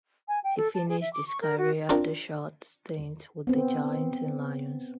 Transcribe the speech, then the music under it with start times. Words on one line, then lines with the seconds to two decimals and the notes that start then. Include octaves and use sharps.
He finished his career after short stints with the Giants and Lions.
0.28 G#5
0.44 G5
0.57 A4
0.74 A5
0.89 G#4
1.01 E5
1.13 D6
1.27 C#6
1.42 A#4
1.58 F#4
1.89 C4 D4 F4 A#4 G5
3.47 B3 C4